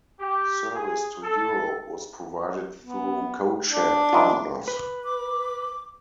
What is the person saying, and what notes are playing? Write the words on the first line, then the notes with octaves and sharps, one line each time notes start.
Service to Europe was provided through codeshare partners.
G4
G#4
A4
B3
D4
E3 D#4 F4
B4
D6